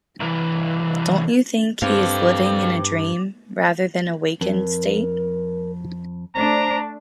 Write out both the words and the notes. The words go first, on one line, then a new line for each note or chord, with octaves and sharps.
Don't you think he is living in a dream rather than a wakened state?
C2 E3
G2 C4 A4 F5 D6
F2 A#4
A3 D4 C5 A#5